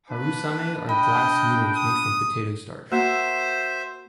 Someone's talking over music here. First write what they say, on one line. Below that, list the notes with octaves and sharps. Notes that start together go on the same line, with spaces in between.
Harusame are glass noodles made from potato starch.
A#3 D4 B4
D#5 G5 B5
D#6
A#3 F#4 C5 E5 E6